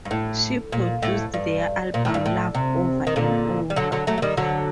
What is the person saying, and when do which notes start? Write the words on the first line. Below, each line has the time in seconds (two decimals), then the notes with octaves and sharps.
She produced their album "Love Over and Over".
0.05 G2
0.11 A2
0.72 A#2
1.03 A2
1.34 G2
1.94 A#2
2.05 A2
2.14 G2
2.26 A2
2.55 C3
3.07 D#3
3.16 A#2 D3
3.70 G3
3.76 D3 F#3
3.92 D3 F#3
4.07 F#3 A3
4.18 A3
4.22 D#3 G3
4.37 D3 F#3